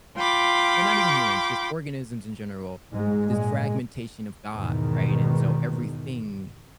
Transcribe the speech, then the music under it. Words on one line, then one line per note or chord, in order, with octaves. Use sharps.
or not even humans, just organisms in general, we're this fragmentation of God, right, and so everything
F4 G5 B5 D6
G#2 G#3
A#2 G#3
E2 G#2 B2 D#3